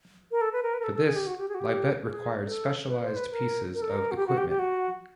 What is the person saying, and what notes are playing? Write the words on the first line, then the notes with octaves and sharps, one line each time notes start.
For this, Libet required specialized pieces of equipment.
A#4
A4
B4
A#4
B4
A#4
A4
A4
G#4
G4
F#4
G4
G#4
F#4
G4
G#4
A4
B4
C5
B4
A#4
A#4
A4
A#4
F#4
G4
F#4
G4
G4
F#4